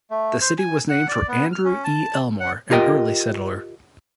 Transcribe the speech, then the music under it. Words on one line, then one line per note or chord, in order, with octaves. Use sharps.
The city was named for Andrew E. Elmore, an early settler.
A3
C5
G#5
F#5
D5
B3
F6
C#4
A5
F#5
F4 G4 A#4 D#5 G5